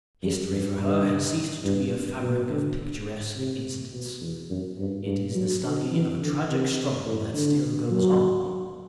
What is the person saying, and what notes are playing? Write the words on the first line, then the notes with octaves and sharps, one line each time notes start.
History, for her, has ceased to be a fabric of picturesque incidents; it is the study of a tragic struggle that still goes on.
F#2
G2
G2
G2
B2
D3
C3
B2
E2
F#2
G2
G2
F#3
D3
E3
D3
C3
A2
D3
F#3